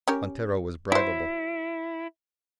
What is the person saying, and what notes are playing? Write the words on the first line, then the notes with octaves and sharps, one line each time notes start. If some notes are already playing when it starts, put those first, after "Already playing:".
Montero was bribeable.
C#4 G4 A#4
F#3 E4 C5